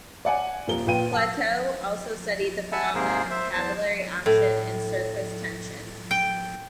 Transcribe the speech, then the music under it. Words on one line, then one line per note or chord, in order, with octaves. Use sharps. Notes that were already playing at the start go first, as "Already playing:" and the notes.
Plateau also studied the phenomena of capillary action and surface tension.
D5 F#5 G#5
D#1 F3 A#4 G7
A#2 B4 G5 D#7
A5 E6
E5 F#5 G#5 A5 B5 E6
G#2 C3 A#3 G#4 A#4 C5
C5 E5
E2 C5 A5
A2
G5